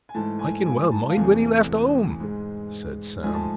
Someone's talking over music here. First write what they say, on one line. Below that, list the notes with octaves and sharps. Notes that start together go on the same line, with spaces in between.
"I can well mind when he left home," said Sam.
G#5
G#2 E3 A3 A5
G#5
G#5
A5
F5
E2 C3 E3 A3 G#5
G#2 G#3
G#2 F3 A3 G#5
A5